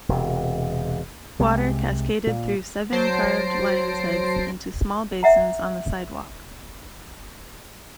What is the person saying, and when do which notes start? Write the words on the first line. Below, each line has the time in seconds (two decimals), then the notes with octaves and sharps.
Water cascaded through seven carved lion's heads into small basins on the sidewalk.
0.09 E1 C3
1.39 C2 C3 G#3
2.27 A#2
2.92 F#3 C5 A5 A#6 C7 D7
5.23 E5 F#5 A#5